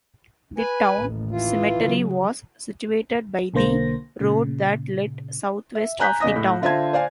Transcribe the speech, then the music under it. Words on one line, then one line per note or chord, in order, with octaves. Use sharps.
The town cemetery was situated by the road that led southwest of the town.
B4 G#5
A1 D#2
E3 F4
C#3 F#3
B1 D3 A#3 C5 A#6
A#2 C#3
E5
G#5 A#5 F#6 G6 B6
E2 C#3 D#5 D#6 A#6
A2
D3 F4 C5 E5 A5 G#6
C5 D5 F5 G#5